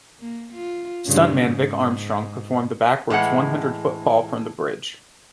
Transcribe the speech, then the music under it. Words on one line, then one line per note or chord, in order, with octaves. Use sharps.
Stuntman Vic Armstrong performed the backwards one-hundred-foot fall from the bridge.
A#3
F4
G2 C#3
G#2
A2 E3 G#3 F#5